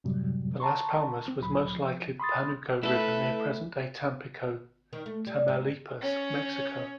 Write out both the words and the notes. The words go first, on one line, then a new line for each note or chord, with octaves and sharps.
The Las Palmas was most likely the Panuco River near present-day Tampico, Tamaulipas, Mexico.
F#2 A2 C3 F#3 G3
A5 A#5 C6 C#6
C4
D2 A#2 F#3 B5
F3
B5 C6 D#6 A6
A3 E4 A4 B4 E5 B5
D#3
A3
G3
G#2
C#4 C#5